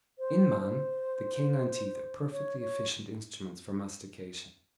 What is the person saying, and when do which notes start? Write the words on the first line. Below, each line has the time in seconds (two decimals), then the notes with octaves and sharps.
In man, the canine teeth are perfectly efficient instruments for mastication.
0.19 C5
0.61 C5
2.32 C#5
2.60 C#5